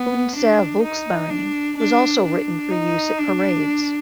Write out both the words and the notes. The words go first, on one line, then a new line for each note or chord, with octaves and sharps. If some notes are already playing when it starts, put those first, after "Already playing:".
"Unsere Volksmarine" was also written for use at parades.
Already playing: B3
D4
D#4
D4
D4
D4
D#4
D4